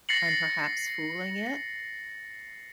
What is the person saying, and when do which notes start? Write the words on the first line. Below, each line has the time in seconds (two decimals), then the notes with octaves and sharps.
and perhaps fooling it
0.09 A6 A#6 C7 C#7 F#7